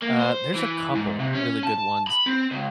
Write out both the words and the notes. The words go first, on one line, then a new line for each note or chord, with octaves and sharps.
uh, there's a couple really good ones.
A#3
C5
E3
G#2
C3
C#4
A5
B5
C4
C#2